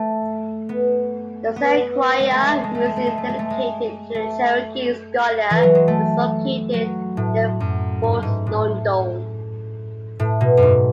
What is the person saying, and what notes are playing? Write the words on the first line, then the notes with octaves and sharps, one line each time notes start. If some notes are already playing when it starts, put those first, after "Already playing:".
The Sequoyah Museum, dedicated to the Cherokee scholar, is located near Fort Loudoun.
Already playing: A3
B3
B3
B3
G#3
A3
G#3
A3
G#3
A3
G#3
A3
G#3
A3
G#3
A3
G#3
A3
E3
F#3
G#3
A3
F#3
A2
F#2
G#2
A2
G#2
A2
A2
B2
F#2
G#2